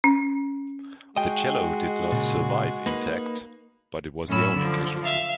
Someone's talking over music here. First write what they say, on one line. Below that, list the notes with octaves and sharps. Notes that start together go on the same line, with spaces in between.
The cello did not survive intact, but it was the only casualty.
C#4
G#3 F#4 D#5 G5
A#2 C#3
A#3 D#4 B4
F#2 A2 C#4 B5 E6
D3 F3
E5 F5